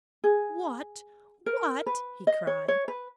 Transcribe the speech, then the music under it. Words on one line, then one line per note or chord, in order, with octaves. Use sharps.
"What! what!" he cried.
G#4
A#4
B4
D#5
C#5
C#5
B4